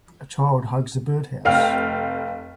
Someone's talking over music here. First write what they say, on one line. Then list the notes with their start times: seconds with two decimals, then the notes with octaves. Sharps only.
A child hugs a birdhouse.
1.45 F1 F5 G5 F6